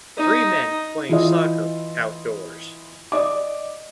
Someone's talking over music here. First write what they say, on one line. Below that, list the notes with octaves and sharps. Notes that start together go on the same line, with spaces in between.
Three men playing soccer outdoors.
D#4
E3 E4 F4 D#5
D5 D#5 D6